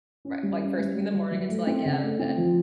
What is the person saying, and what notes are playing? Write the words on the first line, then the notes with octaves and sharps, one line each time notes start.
ri like, first thing in the morning until I get out of bed
C#4
G3
C#4
G3
G3
G3
F#3
A3
C4
C#3
A3
C4
F3